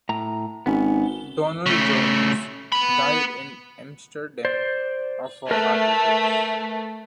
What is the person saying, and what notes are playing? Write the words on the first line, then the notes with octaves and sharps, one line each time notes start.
Donald Jones died in Amsterdam of a heart attack.
A2 A#5
G#1 B3 C#4
C#3 A3
B3 B5
C5 D5
A3 A#4 B4